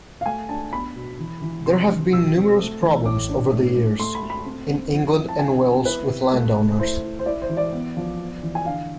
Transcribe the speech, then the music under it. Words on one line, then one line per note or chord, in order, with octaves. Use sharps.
There have been numerous problems over the years in England and Wales with landowners.
F5
A3 G#5
D4 A5
B3 B5
B2
E3
E3
C3 C6
D4
B2 E6
C4
A3
E3
A2 D6
D4
A2
A2
A3 C6
B5
A3
B5
C4
C4
F3
E4
A5
D3 G#5
B3
E4 B4
C3
A3
A3
E4 C5
E4
C5
E4 D5
C5
E3
D5
B3
F3
B3
E3
G#5
D3 F5